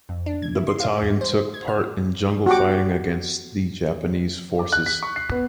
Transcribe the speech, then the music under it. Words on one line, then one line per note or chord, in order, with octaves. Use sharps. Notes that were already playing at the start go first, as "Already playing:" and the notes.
The battalion took part in jungle fighting against the Japanese forces.
F2
D4
G#6
E4
C6
F5
E2
C5
G#6
F6
F#4 G4 D6
D6
F#6
B6
C#6
C7
B3